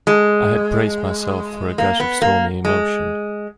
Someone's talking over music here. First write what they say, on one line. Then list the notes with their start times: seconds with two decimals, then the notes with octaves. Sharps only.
I had braced myself for a gush of stormy emotion.
0.07 G#3
1.78 A#3
2.00 B3
2.22 A#3
2.65 G#3